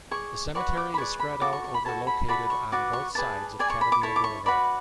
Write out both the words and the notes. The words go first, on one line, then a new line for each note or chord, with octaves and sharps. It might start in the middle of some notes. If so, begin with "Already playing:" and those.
The cemetery is spread out over located on both sides of Catalina Blvd.
G#4 D5 C#6
F#4 B4 D5 C#6
D6
B5
G#4 B4 D5 C#6
B5
F#4 A4 D6
C#6
C#6
B5
F#4 A4 C#5 A5
B5
F#4 A4 D5 B5
C#6
F#4 B4 D5 D6
C#6
G#4 B4 D5 A5
G#4 D5 G#5
C#6
B5
D6
E4 A4 C#5 C#6
D6
C#6
F#4 B4 D5 B5